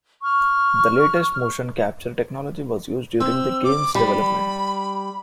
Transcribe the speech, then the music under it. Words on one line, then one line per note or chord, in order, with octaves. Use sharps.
The latest motion capture technology was used during the game's development.
C#6 F6
C4 E6
D6
G3 B5